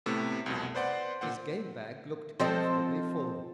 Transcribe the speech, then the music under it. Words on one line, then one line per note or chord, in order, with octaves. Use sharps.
His game-bag looked comfortably full.
A2 C3 A3 B3
C2 F2 B2
B4 C5 D5 F#5 C6
A#2 C5 F#5
F3 C4 A4 D#5